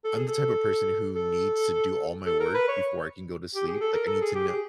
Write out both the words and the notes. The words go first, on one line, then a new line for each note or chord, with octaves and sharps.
I'm the type of person who needs to do all my work before I can go to sleep, like, I need to kno
A4
G#4
A4
A4
A4
A#4
B4
C#5
G4
G#4
A4
A#4
A4
G#4
G4
G#4